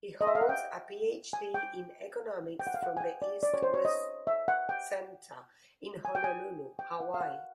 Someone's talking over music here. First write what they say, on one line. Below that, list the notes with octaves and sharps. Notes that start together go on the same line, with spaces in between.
He holds a Ph.D. in economics from the East-West Center in Honolulu, Hawaii.
D#5
E5
F5
F#5
G5
G#5
G5
G5
F#5
F5
F#5
G#5
G5
D5
D5
C#5
C5
C#5
D#5
E5
F#5
G5
G#5
G5
G#5
G5
F#5
F5
F#5